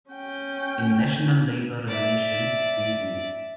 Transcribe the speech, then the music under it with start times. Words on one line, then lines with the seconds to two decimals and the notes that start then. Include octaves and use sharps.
In National Labor Relations Bd.
0.11 C#4 G5
1.88 D5 E5